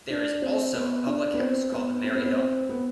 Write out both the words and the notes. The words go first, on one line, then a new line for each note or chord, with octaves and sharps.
There is also a Public house called the Merry Hill.
D4
C4
B3
D4
B3
C4
B3
C4
B3
C4
B3